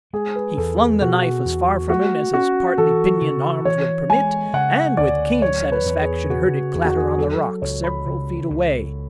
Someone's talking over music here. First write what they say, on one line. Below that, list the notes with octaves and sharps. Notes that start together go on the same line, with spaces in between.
He flung the knife as far from him as his partly pinioned arms would permit, and, with keen satisfaction, heard it clatter on the rocks several feet away.
G#3 G#4
B4
E2 A4
G#4
B2 F#4
E2
A3 F#4
C#4 F#4
E3 A4
C#3
E3 C#5
G#3 G#5
C#3 F#5
D2 D5
F#3 C#5
B4
E2
G#4
C#3 F#4
E2 G#4
F#4
G#4
F#3 A4
C#2 C#5
B5
C#3
C#2